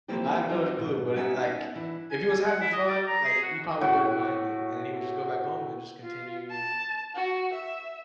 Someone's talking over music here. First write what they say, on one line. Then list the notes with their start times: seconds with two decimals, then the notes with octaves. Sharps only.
have no clue, but, it like, if he was having fun, like, he probably wouldn't mind it, and then he would just go back home, and just continue,
0.08 F3 A#3 C4 E4 G4
0.47 F#3 C4 D#4 F4 A#4 C5
0.77 G#2 B2
1.16 B3 C#4 D#4 E5 F#5 G#5
1.76 E3 D4 E4
2.11 G#5
2.31 G#5
2.45 F#5
2.61 E4
2.73 D#5
2.88 D5
3.07 A#5
3.25 G#4
3.43 F#4
3.81 A2 F#4
6.02 F4
6.51 A5
7.15 F#4
7.54 E5